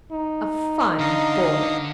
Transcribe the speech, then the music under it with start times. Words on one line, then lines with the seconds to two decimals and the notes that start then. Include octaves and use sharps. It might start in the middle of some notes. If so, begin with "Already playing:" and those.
"A fine boy."
0.12 D#4
0.99 D3 D#5 F5